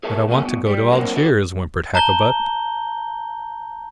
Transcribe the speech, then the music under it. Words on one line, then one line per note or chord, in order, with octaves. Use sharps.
"But I want to go to Algiers," whimpered Hakkabut.
G#4 A#4 E5 A5
C#2 F#2 B2 A#3 G#4 A4
G2 B2
G3
F#3 A#3 C4 D4 A#4 F#5
E4 F#4 A4
A5 A#5 G6 G7